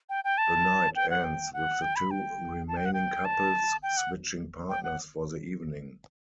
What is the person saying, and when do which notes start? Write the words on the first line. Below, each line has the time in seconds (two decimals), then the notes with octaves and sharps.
The night ends with the two remaining couples switching partners for the evening.
0.09 G5
0.24 G5
0.38 A5
0.95 G5
1.10 F#5
1.24 G5
1.53 F#5
1.82 G5
1.96 B5
2.11 G5
2.68 A5
2.77 G5
2.85 F#5
2.93 G5
3.25 A5
3.83 G5
3.97 F#5
4.69 G5
4.84 F#5